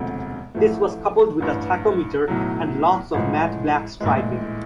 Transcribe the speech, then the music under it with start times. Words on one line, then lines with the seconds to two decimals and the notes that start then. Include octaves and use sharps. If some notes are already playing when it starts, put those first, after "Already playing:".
This was coupled with a tachometer and lots of matte black striping.
Already playing: E1 D2 C3 F3 A3
0.55 A1 A2 F3 A3
1.40 A1 G2 E3
2.28 B1 A2 F#3
3.14 A1 A2 F3 G#3
4.00 A#1 A2 E3 G#3